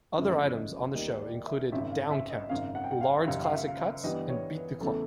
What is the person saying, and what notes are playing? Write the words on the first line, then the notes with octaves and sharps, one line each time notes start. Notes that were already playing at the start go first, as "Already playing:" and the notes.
Other items on the show included "Downcount", "Lard's Classic Cuts" and "Beat the Clock".
G1 F#2 C#3 F3 A3 E5
D#5
D#2 D#3 G3 D#5
D5
E5
G#1 F#2 C#3 E5
F5
E5
D#5
G#1 F#2 C#3 F5
F#5
G5
F#5
F5
F#1 F#2 D#3 G3 F5
F5
E5
F5
E5
G2 E3 G3 B3 D#5
C#5
B4
E2 C#3 E3 A3 A4